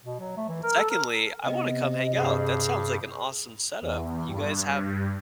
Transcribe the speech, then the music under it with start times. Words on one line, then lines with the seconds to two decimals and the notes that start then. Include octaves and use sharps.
And secondly, I wanna come hang out, that sounds like an awesome setup. You guys have
0.05 B2
0.20 F#3
0.37 A3
0.49 E3
0.63 A#4
0.76 A4
0.90 A#4
1.45 C3 B3 D#5
2.14 G2 G#4
3.81 E2
4.27 G2